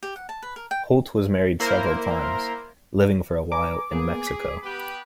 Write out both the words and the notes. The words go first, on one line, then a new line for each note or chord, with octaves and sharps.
Holt was married several times, living for a while in Mexico.
G4
F#5
A5
B4
A#4
G5
A#3 E4 A#4 C5
B4 G#5 A#5 D6
A#3 B3 G#4
B6
B3 G4 B4